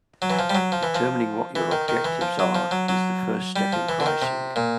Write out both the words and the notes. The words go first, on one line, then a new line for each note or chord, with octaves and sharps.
Determining what your objectives are is the first step in pricing.
F#3
E3
F3
G3
F#3
F3
E3
F3
E3
D#3
D#3
E3
F3
F#3
F3
F#3
F#3
G3
F3
E3
D3
D#3
C3
A#2